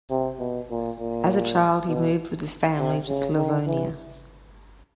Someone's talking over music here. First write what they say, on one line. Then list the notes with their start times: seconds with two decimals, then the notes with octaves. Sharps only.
As a child, he moved with his family to Slavonia.
0.10 C3
0.39 B2
0.70 A#2
1.00 A#2
1.89 B2
2.78 C3
3.08 C#3
3.37 D#3
3.66 E3